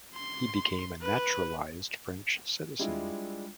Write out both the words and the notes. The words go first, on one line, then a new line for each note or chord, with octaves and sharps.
He became a naturalized French citizen.
C6
B4
G3 G#3 D4 E4 F4